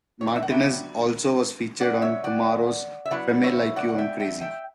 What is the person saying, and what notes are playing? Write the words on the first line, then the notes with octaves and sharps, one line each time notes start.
Martinez also was featured on Kmaro's "Femme Like You" and "Crazy".
C#5
D5
E5
F#5
F#3 B3 D4 E5 G5
D5 F#5
C#5 E5
D5 F#5
E5
F#3 B3 E4 D5 F#5
C#5 E5
D5 F#5
F#5
E5 G5
E5 G5
E5 G5